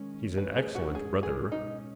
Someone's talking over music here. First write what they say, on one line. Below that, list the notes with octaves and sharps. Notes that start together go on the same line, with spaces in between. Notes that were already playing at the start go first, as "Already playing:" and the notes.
He's an excellent brother.
Already playing: D#3 G#3 C#4
E3 A3 C#4 B4
G#4
F#4
A2 G#3 C#4 G#4
G#4
B2 G#3 C#4 D#4